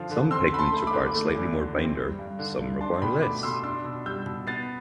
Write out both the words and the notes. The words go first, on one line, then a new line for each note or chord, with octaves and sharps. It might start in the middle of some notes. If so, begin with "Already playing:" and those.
Some pigments require slightly more binder, some require less.
Already playing: D3 F3
D3
C4 C6 E6
D3 B5
A5 C6
A3
B5 D6
D3
A3
E2
D3
C4
G3
G2
D3
G2
D4 A5 C6
B2 G5 B5
A3 B5 D6
B2 C6 E6
D4 C6 E6
B2
G3 E6 G6
B2
B3 A6 C7